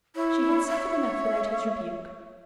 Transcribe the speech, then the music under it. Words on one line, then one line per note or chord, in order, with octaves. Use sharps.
She had suffered enough without his rebuke.
E4 C#5
E5